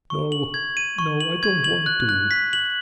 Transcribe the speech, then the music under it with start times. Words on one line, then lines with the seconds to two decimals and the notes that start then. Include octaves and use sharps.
"No! no! I don't want to!"
0.10 C#6
0.32 F#7
0.54 G#6
0.77 D#7
0.99 C#6
1.21 F#7
1.43 G#6
1.64 F#7
1.86 F#6
2.09 F#6
2.31 B6
2.53 F#7